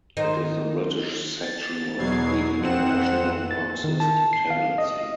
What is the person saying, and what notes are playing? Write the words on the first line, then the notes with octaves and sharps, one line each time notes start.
It is the British section of the International Marxist Tendency.
D#3 D#4 C5
A6
E2 B2 F#3 G#6 C7
F2 C4 F#5 E7
A6
D#3
A5
C7
F5
D#5